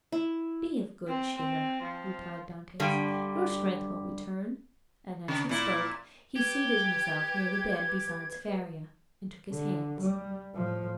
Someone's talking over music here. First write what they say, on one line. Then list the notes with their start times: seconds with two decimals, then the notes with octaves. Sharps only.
"Be of good cheer," replied Dantes; "your strength will return." And as he spoke he seated himself near the bed beside Faria, and took his hands.
0.12 E4
1.08 C4
1.38 C4
1.83 F3
2.80 G2 D3 G3
5.28 C#3
5.49 A#2 E4
6.36 G4 B4 G#6
9.52 D3
10.02 G3
10.55 A2 F3